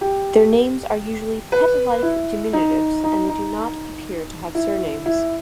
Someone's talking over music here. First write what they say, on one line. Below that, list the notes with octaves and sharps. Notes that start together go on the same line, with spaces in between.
Their names are usually pet-like diminutives, and they do not appear to have surnames.
G4
B4
E4
D#4
D#4
D#4
E4
E4